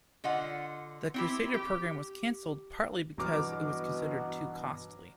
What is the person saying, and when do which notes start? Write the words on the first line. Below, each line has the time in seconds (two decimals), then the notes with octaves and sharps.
The Crusader program was cancelled, partly because it was considered too costly.
0.24 D3 F4 D#5 F#5
1.14 C4 E4 G4
1.54 G4
3.18 G2 B2 E3 F#3 D6 F6